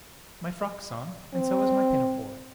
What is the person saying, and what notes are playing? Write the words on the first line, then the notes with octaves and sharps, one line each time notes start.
"My frock's on, and so is my pinafore."
C4